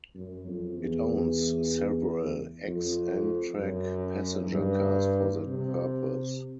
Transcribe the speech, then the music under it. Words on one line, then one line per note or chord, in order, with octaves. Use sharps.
It owns several ex-Amtrak passenger cars for that purpose.
F#2
F2
E2
F2
F#2
G2
C3